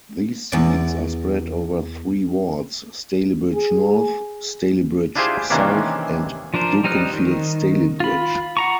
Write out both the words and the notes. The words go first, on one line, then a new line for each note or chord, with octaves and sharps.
These seats are spread over three wards: Stalybridge North, Stalybridge South and Dukinfield Stalybidge.
E2 D5
G#4
D4 E4 F4 G4 G#4 C5
C3 D#3 E3 A#3 C#4 D4
F3 D4 A#4 C5
G3 D#4 C5 F6 F#6
D#3
F4 B5
F#5 A#5 C#6